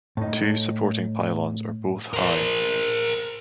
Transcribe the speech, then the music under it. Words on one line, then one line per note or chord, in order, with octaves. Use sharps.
Two supporting pylons are both high.
A2 D#4
A#4 C5